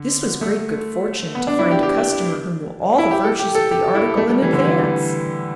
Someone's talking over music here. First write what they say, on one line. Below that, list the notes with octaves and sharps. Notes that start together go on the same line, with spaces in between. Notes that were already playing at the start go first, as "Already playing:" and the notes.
This was great good fortune, to find a customer who knew all the virtues of the article in advance.
Already playing: D3
A3
B3
D4
E4
G4
G4
E4
G4
A4
G4
A4
G4
E4
A3
G3
E3
D3
E3